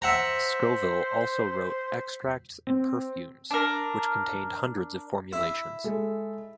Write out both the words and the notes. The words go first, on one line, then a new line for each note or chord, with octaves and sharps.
Scoville also wrote "Extracts and Perfumes", which contained hundreds of formulations.
C5 E5 F#5 A#5
C4
D4 A#4
E4
G#3 A4